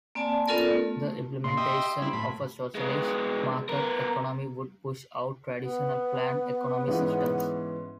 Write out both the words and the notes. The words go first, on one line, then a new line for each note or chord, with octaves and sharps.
The implementation of a socialist market economy would push out traditional planned economy systems.
A#3 C4 D5 G#5 A5
B3 C#4 F4 A4 A#4 D5
A3
A#2 C6
G4 D#5 E5
G3 C4 E4
A2 B5
G#3 B3
B3 A#4
B3
G#2 E3 C#4